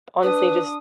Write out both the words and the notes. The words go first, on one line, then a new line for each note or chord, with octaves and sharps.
honestly, just
D4 B4 D#6